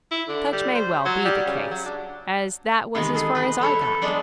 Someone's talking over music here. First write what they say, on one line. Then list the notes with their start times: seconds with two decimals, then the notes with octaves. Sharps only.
Such may well be the case, as that was as far as I got.
0.11 E4
0.29 D3
0.53 G3
0.75 C5
1.05 F#3
1.25 G3
1.46 C#3
1.71 F#3
1.86 D4
2.95 C3 D#3 E3 G#3 B3
3.14 A3 G#4
3.35 C4 B4
3.61 A3 E4 C#5
3.81 A4
4.02 F#3 G#3 B3 D4 D5